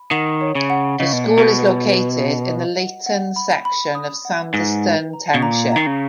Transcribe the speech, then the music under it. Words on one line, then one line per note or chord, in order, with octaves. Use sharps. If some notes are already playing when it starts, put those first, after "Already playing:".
The school is located in the Layton section of Sandyston Township.
Already playing: B5
D#3 F#5
C#5
C#3
F#5
C#3 D#5
B2
A#2 G#5
B2
B4
B4
D#5
D#5
F#5
F#5
B5
B5
D#6
F#5
G#2 B4
B4
A#5
B2
A#2 A#5
D#3 A#5
C#3